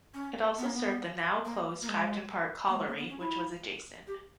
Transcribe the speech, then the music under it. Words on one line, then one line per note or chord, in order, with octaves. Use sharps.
It also served the now closed Kiveton Park Colliery which was adjacent.
C#4
B3
A#3
B3
A#3
A#3
G#3
A#3
G#3
A#3
B3
C#4
E4
G4